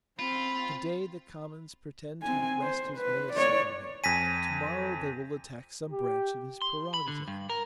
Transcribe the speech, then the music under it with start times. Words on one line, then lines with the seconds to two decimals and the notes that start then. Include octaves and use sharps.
To-day the commons pretend to wrest his minister from him: to-morrow they will attack some branch of his prerogative.
0.19 C4 F4 B5
2.23 C4 G#5
2.62 C5
2.97 B4
3.33 C#5 D5
4.04 F2 G#5 A#6 B6 D#7
5.91 G4
6.62 C6
6.94 B5
7.08 D3
7.28 G2
7.50 A#4